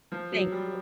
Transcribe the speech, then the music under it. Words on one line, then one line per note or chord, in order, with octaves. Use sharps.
Thank you.
F3
F#3
G3